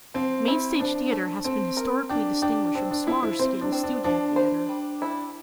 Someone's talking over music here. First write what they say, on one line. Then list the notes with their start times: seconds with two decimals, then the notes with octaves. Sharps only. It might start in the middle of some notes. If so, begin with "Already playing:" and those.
Mainstage theatre has been historically distinguished from smaller-scale studio theatre.
0.14 F3 C4
0.48 E4
0.79 F3 D4
1.13 A3
1.44 A3 C4
1.77 A#4
2.09 D4 G4
2.42 D4 G4
2.75 C4 D4
2.91 D4
3.07 F3 E4
3.23 E4
3.39 C4 C5
3.61 D4
3.72 C4
3.83 D4
4.04 F3 D4
4.36 C5
4.69 G3
5.02 E4